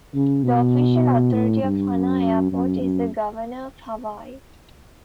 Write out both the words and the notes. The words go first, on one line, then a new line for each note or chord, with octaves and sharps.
The official authority of Hana Airport is the Governor of Hawaii.
C#3
B2
A2
G2
F#2
F#2
F#2